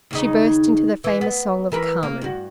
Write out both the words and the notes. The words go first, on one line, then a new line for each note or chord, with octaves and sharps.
She burst into the famous song of CARMEN.
D#2 C#3 D#4
E3
B3
E3 A#4 B4
A#3
G2 F#4